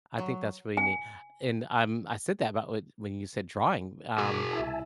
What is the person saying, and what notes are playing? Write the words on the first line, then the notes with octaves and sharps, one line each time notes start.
I think that's really neat, and, um, I said that about when you said drawing, um,
F#3
G#5
B2 F#4 G#4 D6
C2 E4 E5 G#5 A5